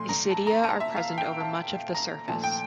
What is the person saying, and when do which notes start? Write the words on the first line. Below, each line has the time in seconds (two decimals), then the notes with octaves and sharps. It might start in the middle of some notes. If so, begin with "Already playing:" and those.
Isidia are present over much of the surface.
Already playing: A#2 F3 A3 C6
0.09 A#5
0.31 A5
0.47 A#5
0.64 A5
0.80 E5
0.96 F5
1.18 G5
1.40 A5
1.95 A#5
2.28 A#2 F3 A3 A5
2.44 G5